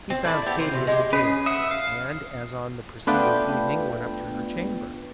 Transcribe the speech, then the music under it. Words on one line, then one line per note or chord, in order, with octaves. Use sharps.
He found Kitty at the gate, and, as on the preceding evening, went up to her chamber.
C4
A3 E4 D5
B3 G4 A4
E3 C5
C3 A3
G#3 G4
C#4 G#4 B4
E5 F#5 D#6
F5
A3 B3 D4 F4 B4 G5